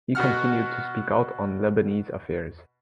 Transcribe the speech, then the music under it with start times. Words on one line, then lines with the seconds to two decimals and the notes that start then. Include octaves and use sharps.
He continued to speak out on Lebanese affairs.
0.15 B2 F#4 F#5 F6